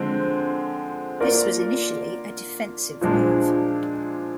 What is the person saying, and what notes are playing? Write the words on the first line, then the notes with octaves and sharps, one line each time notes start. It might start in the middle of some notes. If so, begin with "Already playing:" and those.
This was initially a defensive move.
Already playing: D3 F3 G#3 C4
A#3 F4 A#4 D5
A#2 F3 G#3 D4